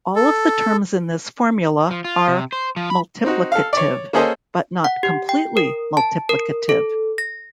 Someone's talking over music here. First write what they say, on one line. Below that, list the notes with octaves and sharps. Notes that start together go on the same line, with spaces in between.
All of the terms in this formula are multiplicative, but not completely multiplicative.
A4
F3
F4
C3
C5
F3
B5
C4 D#4 F#4
A4 F5
C#5 D5
A#3 C#4 G#4 A4 C5 D#5
F#5
G4
G5
A#4
A5
A#4
A4
A#6